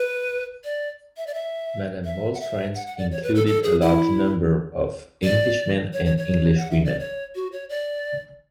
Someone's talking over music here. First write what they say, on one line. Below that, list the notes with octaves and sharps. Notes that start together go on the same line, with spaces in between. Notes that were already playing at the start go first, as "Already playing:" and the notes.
Madame Mohl's friends included a large number of Englishmen and Englishwomen.
Already playing: B4
D5
E5
D5
E5
E5
F#5
E5
F#5
F#5
D5
C#5
B4
A4
A4
G#4
E4
D5
C#5
C#5
C#5
F#5
E5
D5
C#5
F#4
C#5
D5